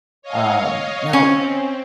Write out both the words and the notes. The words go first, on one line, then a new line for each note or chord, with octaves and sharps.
um, now,
C#5 D#5 F5
C4 C#4